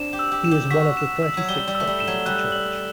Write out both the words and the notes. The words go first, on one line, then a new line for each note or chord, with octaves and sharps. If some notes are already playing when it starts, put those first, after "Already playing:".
He is one of the thirty-six Doctors of the Church.
Already playing: C4 D4 E7
G4
E6
G4
E7
G4
F#4 B6
E7
E6
F#3
G3 G7
G3
E6
A3
G3
E7
F#3
G3 F#6
F#7